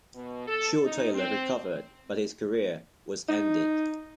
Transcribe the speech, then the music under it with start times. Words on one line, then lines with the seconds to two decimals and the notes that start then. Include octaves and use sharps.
Shawe-Taylor recovered but his career was ended.
0.15 B2
0.47 A4
0.85 D#4
1.14 C4
3.29 D#4